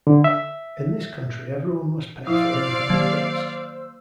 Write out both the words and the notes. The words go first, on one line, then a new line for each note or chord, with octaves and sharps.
In this country everyone must pay for everything he gets.
D3
E5
F3 E4 C5 D5 F5 E6
D#3 F#3 A#3 G4